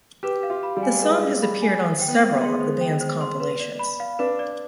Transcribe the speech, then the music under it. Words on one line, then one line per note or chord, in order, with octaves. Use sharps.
The song has appeared on several of the band's compilations.
G4 B4
F5
F4
B5
G3
G#5
G#3 B4
F5
B5
G#5
C5
G5
B3
C5
B3
G#3 C6
B3
C5
G5
C5
C6
B4
D5
B5
F5
D4 B4
D5